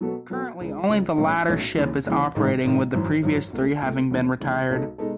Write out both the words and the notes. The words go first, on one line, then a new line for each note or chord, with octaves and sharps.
Currently only the latter ship is operating, with the previous three having been retired.
B2 F#3 B3 F#4 A4
B2 F#3 B3 F#4 A4
C#2 C#3 G#3
C#2 C#3 G#3
B1 A2 F#3 C#4
B1 A2 F#3 C#4
D#2 C#3 E3
D#2 C#3 E3
A1 G#2 D#3
A1 G#2 D#3
G#1 F#2 E3
G#1 F#2 E3
C#2 B2 A3
C#2 B2 A3
D#2 C#3 E3 G#3
D#2 C#3 E3 G#3
B1 B2 G#3 D#4 A4
B2 G#3 D#4 A4